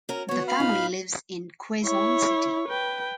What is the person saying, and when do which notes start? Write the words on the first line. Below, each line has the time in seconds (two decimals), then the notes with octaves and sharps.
The family lives in Quezon City.
0.09 C#4 F#4 A#4
0.29 B3 F#4 C#5
0.48 F5 B5 F6
0.60 A2 D#4 F4
1.84 E4 C#5
2.68 B4 G5